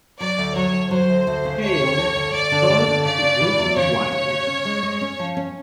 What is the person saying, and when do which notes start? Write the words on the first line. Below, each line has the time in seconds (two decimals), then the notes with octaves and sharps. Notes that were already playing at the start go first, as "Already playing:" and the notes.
Hale toured his region widely.
0.20 F#3 D5
0.38 D2
0.56 F#3 C#5
0.73 D2
0.91 F#3 C5
1.09 D2
1.27 D2
1.45 C#3
1.63 D2 C#5
1.80 D2
1.98 D2
2.16 D2
2.34 D2 D5
2.52 D3
2.69 D3
2.87 D3
3.05 C#3 D5
3.22 C#3
3.41 E3
3.58 E2
3.76 C#3 C#5
3.93 C#3
4.12 C#3
4.30 C#3
4.47 C#4
4.65 G#3
4.83 G#3
5.01 C#4
5.19 F3
5.37 C#4